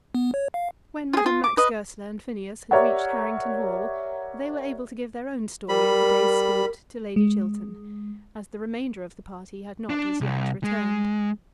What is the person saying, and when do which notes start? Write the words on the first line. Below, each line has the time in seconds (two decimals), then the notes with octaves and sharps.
When Madame Max Goesler and Phineas had reached Harrington Hall they were able to give their own story of the day's sport to Lady Chiltern, as the remainder of the party had not as yet returned.
0.15 B3
0.34 C#5
0.54 F5
1.13 F4 G#4
1.26 F4
1.44 D6
1.57 B4 D#5
2.71 G4 A#4 C#5 D5 E5 F#5
5.69 G3 A#4 B5
7.16 G#3
9.89 D4
10.21 C2
10.64 G#3